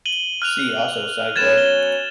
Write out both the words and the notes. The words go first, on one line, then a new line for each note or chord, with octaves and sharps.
See also: sidegrade.
D#7 F#7 G7
F6 F#6 F7
F#3 B3 C#4 G#6 A6 E7
G7